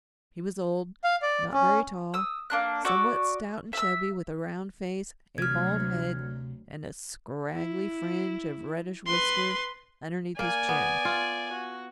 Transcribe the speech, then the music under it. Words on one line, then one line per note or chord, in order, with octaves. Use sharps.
He was old, not very tall, somewhat stout and chubby, with a round face, a bald head and a scraggly fringe of reddish whisker underneath his chin.
F5
D5
C#4
D#6 E6
A#3 D4 F#6
F#4 D5 C#6 E6
E5 E6
D2 C3 F#3 F6 G#6
E4
B4 C6
A#3 D5 G#5
B3
F4
F#4